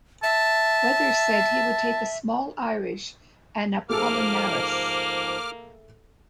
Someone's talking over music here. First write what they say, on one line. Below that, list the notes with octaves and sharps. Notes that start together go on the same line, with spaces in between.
Weathers said he would take a small Irish and Apollinaris.
E5 A5
G#2 F3 A3 A#3 G#4 A4 D6 F6